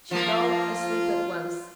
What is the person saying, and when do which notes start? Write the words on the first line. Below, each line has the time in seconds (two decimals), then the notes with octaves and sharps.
She fell asleep at once.
0.11 F3 A#3 F4